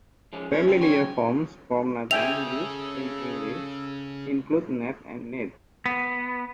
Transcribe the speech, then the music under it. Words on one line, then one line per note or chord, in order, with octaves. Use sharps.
Familiar forms of Nathan used in English include Nat and Nate.
F3 G#3 C#4
C#4 E4
C#3 F#3 C4
C#5 G5 G#5
C#3 G#4 A4 E5 G5 G#5 F7
B3